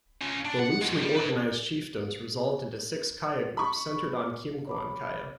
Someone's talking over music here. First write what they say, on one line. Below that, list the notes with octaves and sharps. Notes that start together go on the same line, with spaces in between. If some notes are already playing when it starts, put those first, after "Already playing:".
The loosely organized chiefdoms resolved into six Gaya groups, centered on Geumgwan Gaya.
C#4 F4
D4
F#5
A2 G#3
G3 G4
B4 A5
B5 C#6
C#5 B5 D6